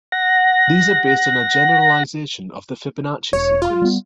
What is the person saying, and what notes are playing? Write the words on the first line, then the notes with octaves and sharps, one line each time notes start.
These are based on a generalisation of the Fibonacci sequence.
F#5 A#6
E1 C#5
F4
G3 B3